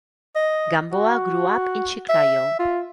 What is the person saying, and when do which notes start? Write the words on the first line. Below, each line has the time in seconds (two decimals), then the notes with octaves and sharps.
Gamboa grew up in Chiclayo.
0.35 D#5
0.92 F#4
2.09 E5
2.59 F4